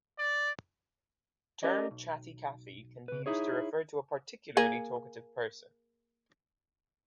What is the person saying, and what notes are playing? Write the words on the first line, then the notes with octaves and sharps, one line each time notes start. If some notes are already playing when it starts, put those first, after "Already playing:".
Term "Chatty Cathy" can be used to refer to a particularly talkative person.
D5
C#4 G4 A#4 D5 D#5
B1
C#3 B4
D#4 E4 G#4 C#5
A#3 G#4